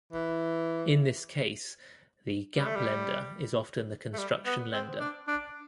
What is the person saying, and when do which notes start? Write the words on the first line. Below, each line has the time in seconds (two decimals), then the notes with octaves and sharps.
In this case, the gap lender is often the construction lender.
0.13 E3
2.57 G3
2.66 A3
2.76 G3
4.13 A3
4.18 G3
4.46 B3
4.73 C4
5.00 D4
5.28 D4